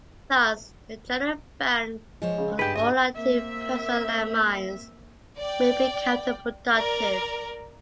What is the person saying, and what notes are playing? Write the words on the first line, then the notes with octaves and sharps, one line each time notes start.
Thus, the general ban on all anti-personnel land mines may be counter-productive.
F3 G#3 C5 C#5
C#3
G2 D4 G4 G#4 B4 G5 A5
G#2 D4 D#4 B4 D#5
A#3 C4 E5
D5 G5
A#4 D5